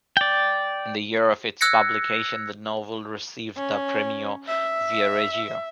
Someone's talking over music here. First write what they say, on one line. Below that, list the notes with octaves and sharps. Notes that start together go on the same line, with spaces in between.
In the year of its publication the novel received the Premio Viareggio.
D5 G5
E6 F#6 G#6 A#6 C#7
C#4
E5